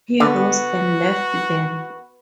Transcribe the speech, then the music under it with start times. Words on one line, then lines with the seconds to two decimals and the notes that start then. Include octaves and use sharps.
He rose and left them.
0.20 D3 B3 F#4